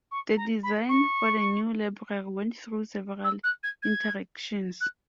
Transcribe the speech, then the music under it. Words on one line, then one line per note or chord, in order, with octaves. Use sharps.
The design for the new library went through several iterations.
C#6
A#5
B5
C#6
E6
F#6
G#6
G#6
F#6